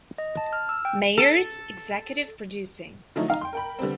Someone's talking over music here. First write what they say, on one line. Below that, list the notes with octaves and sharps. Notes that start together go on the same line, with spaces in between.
Meyers executive producing.
D#5
A5
F6
E6
G5
A4
D3 F3 F#3 A3 D#4 E4
D#4 F5 A#5
G5 C6
A#4 G5 B5
D3 G3 B3 C4